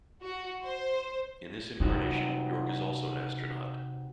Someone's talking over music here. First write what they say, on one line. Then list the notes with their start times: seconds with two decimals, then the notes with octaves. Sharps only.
In this incarnation, York is also an astronaut.
0.23 F#4
0.64 C5
1.80 C3 D#4 F4 F#4